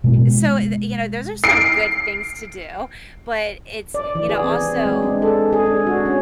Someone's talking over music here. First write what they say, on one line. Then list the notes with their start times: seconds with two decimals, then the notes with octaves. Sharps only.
So, d you know, those are some good things to do, but it's, you know, also,
0.04 B2 G#3 B3
1.44 C7 D7
3.94 D5
4.15 E3
4.29 G#4
4.44 C4
4.61 C4
4.86 G#3
5.02 D4
5.22 A4
5.53 G#4
5.66 D4
5.87 F#4
6.05 C#4